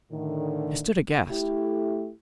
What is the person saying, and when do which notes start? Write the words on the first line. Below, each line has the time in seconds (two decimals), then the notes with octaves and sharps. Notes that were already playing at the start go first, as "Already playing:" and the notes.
I stood aghast.
0.11 A2 D3 D#3
1.29 A3 E4 G4